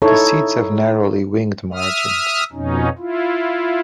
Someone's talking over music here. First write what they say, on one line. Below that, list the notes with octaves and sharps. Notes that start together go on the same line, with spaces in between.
The seeds have narrowly winged margins.
D#4 E4 A4 C#5
E5 D#6 F6
F2 B2 C#4 D#4
E4 F4